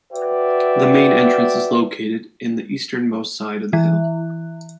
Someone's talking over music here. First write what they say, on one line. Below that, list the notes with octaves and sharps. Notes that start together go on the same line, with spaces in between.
The main entrance is located in the easternmost side of the hill.
F#4 B4 D5 E5 G5
E3